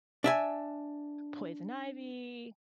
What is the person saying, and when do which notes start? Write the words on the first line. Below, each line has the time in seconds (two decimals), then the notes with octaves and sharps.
poison ivy,
0.24 D4 E5 G#5